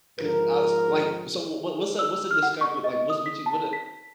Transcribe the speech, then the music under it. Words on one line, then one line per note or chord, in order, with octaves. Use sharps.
'cause I was like So, w w what's the what's the discovery like, what's what you what, uh
G#2 F3 A#4
E6
F6
F#5
C#6
D#5
D#6
B6
A5
B6